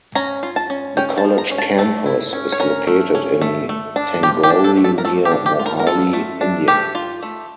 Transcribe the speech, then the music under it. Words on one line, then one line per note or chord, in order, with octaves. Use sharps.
The college campus is located in Tangori, near Mohali, India.
C#4 A#5
F4
A5
C#4
C#4 G5
A5
F3
A#5
C#4
A5
A3 A5
E4
C#4
C#5
C#4 A#4
A3
C#4
A3
A3
D4
F4 G4
G4
D4
A4
A3
A4
A#4
A3 A4
G4
D4
G4
F4
A#4
A#4
F4 A4
A3
D4
A3 G4
F4
A3